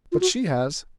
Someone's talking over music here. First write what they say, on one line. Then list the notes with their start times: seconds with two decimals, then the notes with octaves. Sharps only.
But she has.
0.12 F4
0.21 F#4